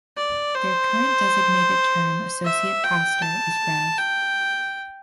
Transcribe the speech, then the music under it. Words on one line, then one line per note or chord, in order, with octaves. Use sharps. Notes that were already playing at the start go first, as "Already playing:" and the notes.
Their current designated term associate pastor is Rev.
D5
C5
E5
G5
A5
G5